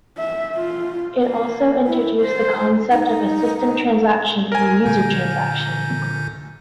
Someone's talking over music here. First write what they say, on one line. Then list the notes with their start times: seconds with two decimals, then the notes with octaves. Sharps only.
It also introduced the concept of a "system transaction" and a "user transaction".
0.18 E5
0.56 F4
1.24 A#3
1.87 E4
2.21 C5
2.91 D#4
4.52 A#4 G#5
4.86 A#2 D3 G6